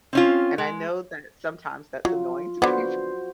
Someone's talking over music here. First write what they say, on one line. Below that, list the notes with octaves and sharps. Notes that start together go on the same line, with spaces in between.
And I know that sometimes that's annoying to people
C4 C#4 F4
G#3
F#3 F4
D3 B3 F#4 C5